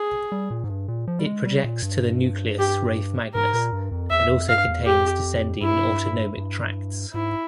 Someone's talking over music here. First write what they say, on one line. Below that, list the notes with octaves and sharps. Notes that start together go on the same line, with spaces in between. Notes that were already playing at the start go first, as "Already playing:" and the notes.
It projects to the nucleus raphe magnus, and also contains descending autonomic tracts.
Already playing: G#4
G3
A#2
G#2
G2
A#2
F3
G3
G#3
G3
A#2
G2
G4
G#2 A#4
A#2
G2
F2
E2 E5
F2
G2 F5
E2
F2 G4
G2 E4
G2
G#2 E4